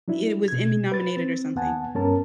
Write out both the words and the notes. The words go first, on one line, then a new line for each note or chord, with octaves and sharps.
It was Emmy nominated or something,
F#3 D4 E4
B2 G#6
B4 A6
C4
D#2 B3 F#5 G#5 A5
G2 B3 C#4 A#4 A5